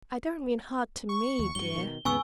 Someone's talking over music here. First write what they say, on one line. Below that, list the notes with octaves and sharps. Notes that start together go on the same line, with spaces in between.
I don't mean hard to me, dear.
C#6
D#2
G2 F#3 G7
B2 D#3
D#2 G#2 C#3 B3 G#5 C#6 E6